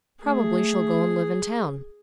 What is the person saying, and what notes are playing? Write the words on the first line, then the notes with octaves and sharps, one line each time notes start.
Probably she'll go and live in town.
A3 G#4